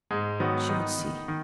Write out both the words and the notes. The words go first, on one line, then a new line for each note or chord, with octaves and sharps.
She would see.
G#2 G#3
D#3 F#3 B3
D#3 B3 D#4
D#3
D#3